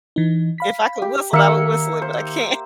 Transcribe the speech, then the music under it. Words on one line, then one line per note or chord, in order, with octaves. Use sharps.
If I could whistle, I would whistle it, but I can't.
E3 D#4
F5 B5 B6
G4
D#3 A#3 E5 E6 C#7
C5